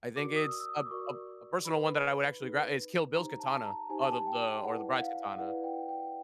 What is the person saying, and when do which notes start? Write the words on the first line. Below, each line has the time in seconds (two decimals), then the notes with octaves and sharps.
I think it's a p a p a personal one that I would actually gra is Kill Bill's katana or the the or the bride's katana.
0.16 F#4 A#4 D5 D6
0.36 D#6
0.41 E6
0.60 E6
0.65 D#6
0.86 D6
0.91 F#4 A#4 D5 C#6
1.65 D#4 G#4 B4 B5
2.40 D#4 G#4 B4
3.15 D#4 G4 C5 A#5
3.40 A5
3.65 A#5
3.90 D#4 G4 C5 G#5
4.01 A5
4.11 G#5
4.27 G5
4.64 E4 G#4 B4 D5 F#5
4.97 F#5
5.01 F5
5.39 E4 G#4 B4 D5 F#5
5.64 G5
5.89 G5